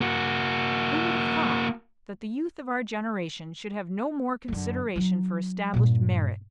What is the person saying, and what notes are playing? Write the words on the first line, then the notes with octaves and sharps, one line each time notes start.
Who would have thought that the youth of our generation should have no more consideration for established merit?
A#3 F#4
F#2 D3
F#3 D#4
G2 A#2